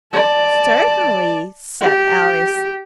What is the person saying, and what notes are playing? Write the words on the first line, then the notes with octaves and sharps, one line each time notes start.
'Certainly,' said Alice.
D5 A5
G4